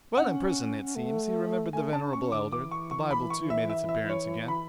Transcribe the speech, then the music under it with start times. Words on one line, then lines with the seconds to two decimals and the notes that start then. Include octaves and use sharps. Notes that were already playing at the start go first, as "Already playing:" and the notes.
Well, in prison, it seems, he remembered the venerable elder; the Bible, too, made its appearance again.
0.17 C#4 F#5
0.95 A3
1.73 A3 G#5
1.93 D4 A5
2.13 C#4 C#6
2.32 D3 D6
2.52 E3 D6
2.71 C#6
2.91 C#6
3.11 B5
3.30 C#6
3.50 E5
3.69 E5
3.89 E5
4.09 C#5
4.48 B5